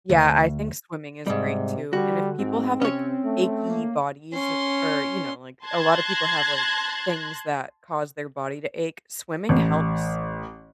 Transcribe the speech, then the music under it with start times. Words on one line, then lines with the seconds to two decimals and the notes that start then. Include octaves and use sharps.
Yeah, I think swimming is great too, and if people have, like, achy bodies or or, you know, like, a lot of people have, like, things that cause their body to ache swimming helps
0.10 D2
1.27 G#2 C3 G3
1.93 D3 G3 F#4
2.39 G#2 C4
2.82 C3 C#4 C#5
3.25 A3
3.69 A#3
4.33 C#4 C6
5.64 A5 C6 F#6 G#6 A#6
9.49 A1